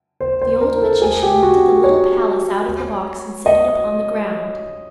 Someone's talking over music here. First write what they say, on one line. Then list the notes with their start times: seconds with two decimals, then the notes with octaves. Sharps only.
The old magician lifted the little palace out of the box and set it upon the ground.
0.21 C5
0.42 C5
0.61 A#4
0.82 A4
1.02 G#4
1.23 G4
1.43 F#4
1.84 C#5
3.46 D#5